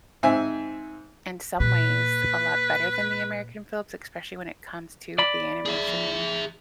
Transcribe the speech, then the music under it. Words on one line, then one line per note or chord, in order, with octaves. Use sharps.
in some ways, a lot better than the American films, especially when it comes to the animation
G#2 C4 E5 G#5
A#2 B4
D5 B5
G#4 E5